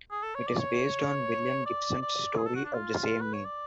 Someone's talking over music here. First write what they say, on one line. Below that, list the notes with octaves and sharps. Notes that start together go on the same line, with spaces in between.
It is based on William Gibson's story of the same name.
G#4
A4
C#5
D5
C#5
D5
D5
G#4
A4
F#4
D4
F4
B4
C#5
D5